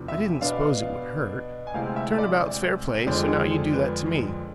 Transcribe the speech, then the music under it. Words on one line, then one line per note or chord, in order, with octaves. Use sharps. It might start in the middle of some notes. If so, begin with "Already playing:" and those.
"I didn't s'pose it would hurt. Turn about's fair play; so now you do that to me."
Already playing: E2 C3 F3 B3 D4
E5
B2 B3 D4 F5
G#5
D2 C3 G#3 C4 E4 F5
E5
D5
F2 D3 F3 G#3 D4 C5
G#4
G#4
A4
B4